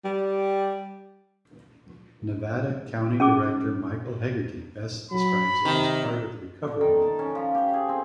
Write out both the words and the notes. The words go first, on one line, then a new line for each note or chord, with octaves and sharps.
Nevada County Director Michael Heggarty bests describes it as part of the recovery movement.
G3
C#4 G#4 D6
F#3 B5
C3 D#3
D3
D#3
A5
C#4
F3
G4
G#4
C4